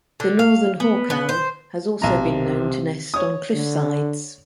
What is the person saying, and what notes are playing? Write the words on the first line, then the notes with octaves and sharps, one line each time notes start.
The northern hawk-owl has also been known to nest on cliffsides.
D3
F5
B3
B3
C5
B1 C3 A#5
C#5 D#6
D3